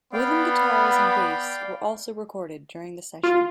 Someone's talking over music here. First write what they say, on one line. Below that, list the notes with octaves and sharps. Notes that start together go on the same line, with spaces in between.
Rhythm guitars and bass were also recorded during the session.
B3 D5 F5 G5 B5
F4